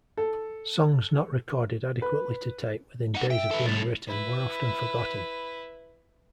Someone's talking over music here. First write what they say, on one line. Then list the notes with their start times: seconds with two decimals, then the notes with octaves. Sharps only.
Songs not recorded adequately to tape within days of being written were often forgotten.
0.17 A4
2.02 B4
3.14 D#4 F#5
3.30 E5 G5
3.51 A4 B4
3.66 C2 A2 A6
4.07 E4 B4